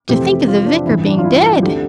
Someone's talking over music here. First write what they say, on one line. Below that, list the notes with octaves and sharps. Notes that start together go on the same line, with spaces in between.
To think of the Vicar being dead!
F2 C3 E3 A3 C4 G4
F4
D4
A1 G2 E3 E4
D4
F4
E4
D2 D3 A3 C4 G4